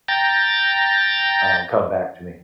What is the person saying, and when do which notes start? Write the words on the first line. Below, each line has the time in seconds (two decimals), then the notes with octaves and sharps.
um, come back to me.
0.08 G5 A#5 A6